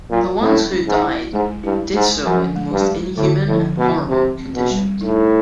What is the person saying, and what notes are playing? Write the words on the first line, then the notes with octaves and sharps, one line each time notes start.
The ones who died did so in the most inhuman and horrible conditions.
A#2 F#3
A2 G#3
C#4
G#2
E4
G#2 G#3
G2 E4
G#2 G#3
F#2 F3
G#3
G2
G#3
A2 D3
A2 F3
B2 G#3
C3 C4
C4
B2
G3
A2 D#4